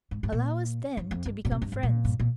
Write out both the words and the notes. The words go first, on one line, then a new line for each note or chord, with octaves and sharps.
Allow us, then, to become friends.
G#2
G#2
A#2
G2
F2
G2
A#2
C3
G2
G#2
A#2
G2
A#2